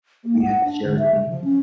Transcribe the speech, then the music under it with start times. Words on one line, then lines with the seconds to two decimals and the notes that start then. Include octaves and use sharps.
that we had to share with me,
0.25 A#3
0.42 F#5
0.64 D4
0.84 D3
0.99 E5
1.16 C#3
1.29 F3
1.44 C#4